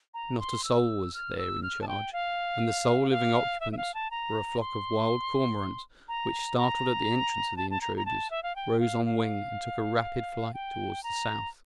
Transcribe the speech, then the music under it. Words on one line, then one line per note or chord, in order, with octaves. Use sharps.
Not a soul was there in charge, and the sole living occupants were a flock of wild cormorants which, startled at the entrance of the intruders, rose on wing, and took a rapid flight towards the south.
A#5
C6
E6
F6
E6
F6
A5
G5
F5
F5
E5
E5
F5
A5
A#5
C6
A#5
A#5
A5
A5
A#5
A#5
A5
E5
F5
G5
F5
F5
G5
A#5